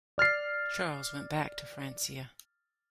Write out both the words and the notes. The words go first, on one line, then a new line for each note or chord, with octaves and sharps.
Charles went back to Francia.
D5 F6 A6 C7